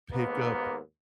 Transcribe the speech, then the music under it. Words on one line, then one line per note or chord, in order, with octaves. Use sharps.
pick up
D#2 G#2 A#3 B3